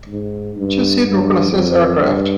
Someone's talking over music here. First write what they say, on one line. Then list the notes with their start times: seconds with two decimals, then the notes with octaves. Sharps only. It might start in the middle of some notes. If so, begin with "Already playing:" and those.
Two-seat reconnaissance aircraft.
0.09 G#2
0.57 G2
1.05 G2
1.51 F2
1.99 G2